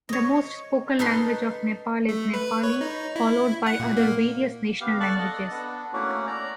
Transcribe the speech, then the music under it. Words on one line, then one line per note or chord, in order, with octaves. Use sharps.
The most spoken language of Nepal is Nepali followed by other various national languages.
C#5 D#5
D#4 A4 B4 C6
A3
B4
C#5
D#4
E4
F#5
A#2
A#3
B3 G4 F5
A4 D5 A5 C#6 F#6
A4 D#5
B3 D4
A3 A#3 C#4 E4 F#4
D5 A#5